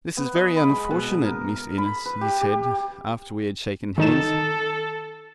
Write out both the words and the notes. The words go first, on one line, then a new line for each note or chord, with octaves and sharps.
"This is very unfortunate, Miss Innes," he said, after we had shaken hands.
B3
D#5
B5
G#3
B2
A#4
A#4
B5
B4
G4
G4
D#3 D#4 A4 E7